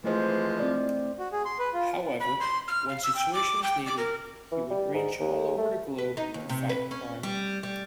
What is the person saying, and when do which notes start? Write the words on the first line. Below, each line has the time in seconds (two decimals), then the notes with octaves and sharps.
However, when situations needed, he would range all over the globe to fight crime.
0.04 E3 F3 G#3 A3 C5
0.59 C4 E4 D5
1.18 F#4
1.32 G#4
1.45 C6
1.59 B4
1.73 F4
2.19 B5
2.39 C6
2.67 F6
2.87 F5
3.03 E6
3.15 G5
3.32 D6
3.62 G5
3.85 D6
3.97 A#4
4.52 E3
4.70 G3
4.94 G#2
5.20 D#2
5.58 A3
5.98 B4
6.17 D#4
6.34 D#2
6.49 C3
6.69 B4
6.91 C#4
7.23 G3
7.63 G3